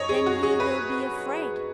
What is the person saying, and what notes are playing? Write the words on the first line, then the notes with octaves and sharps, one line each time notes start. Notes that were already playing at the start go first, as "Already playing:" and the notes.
Then he will be afraid!
Already playing: F#2 C#5 D#5
G#4
F#4
G#4
B4